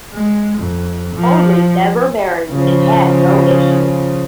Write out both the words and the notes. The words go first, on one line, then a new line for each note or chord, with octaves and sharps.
Hoadly never married and had no issue.
G#3
F2
F3
C#3 F3